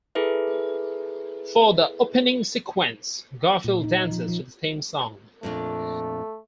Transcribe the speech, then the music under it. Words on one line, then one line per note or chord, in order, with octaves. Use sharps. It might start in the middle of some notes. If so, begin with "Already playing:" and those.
For the opening sequence, Garfield dances to the theme song.
E4 G#4 A4 B4 E5
A#2
D#4
F3
F3
F2 A#2 A3 D4